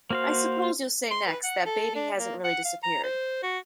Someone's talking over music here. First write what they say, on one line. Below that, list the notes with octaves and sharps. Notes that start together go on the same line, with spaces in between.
I suppose you'll say next that baby hasn't really disappeared.
A#3 F#4 C5 F5
C6
B4
F#5
A4
D4
A#3
F#5
F5
A#5
C5
F#4